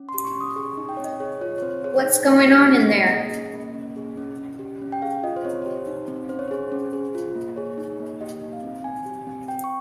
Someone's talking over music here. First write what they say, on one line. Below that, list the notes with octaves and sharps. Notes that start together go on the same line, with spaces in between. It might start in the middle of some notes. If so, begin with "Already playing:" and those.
What's going on in there?
Already playing: C#4
C6
G4
C#6
C#4
D#6
G#4 C#6
D#4
G5
C4 C#5
D#5
G#4 C#5
F4 C#5
C#5
C4 C5
G#4 C#5
D#4
A#3
G4
D#4
A#3
G#4 D#5
C#4
A#3
C#4
G#4
C#4
C#4
G4
C#4
G5
G#4 F5
F4 D#5
C5
C4 C#5
C#5
G4 C5
D#4
C4
C#4 C5
C#5
G#4 C5
C#4
G#4
F4
A#3
G#4 C#5
D#4
A#3
G4 D#5
D#4
F5
C4
C4 G#5
G4
C4
C4 G5
C#6